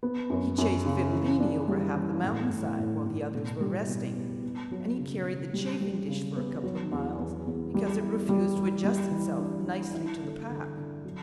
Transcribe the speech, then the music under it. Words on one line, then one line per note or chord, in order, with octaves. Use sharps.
He chased Fidilini over half the mountainside while the others were resting, and he carried the chafing-dish for a couple of miles because it refused to adjust itself nicely to the pack.
B3
F#2
F#2
C#3
E3
D4
G3
E3
A2
A2
A2
A2
B2
G3
B2
B3
B3
F#3
C#3
C#3
G3
G3
C#3
B3
F#3
E2
E2
E2
G3
E4
G3
E4
G3
E3
D4
D4
E4
D3
D3
D3
F#3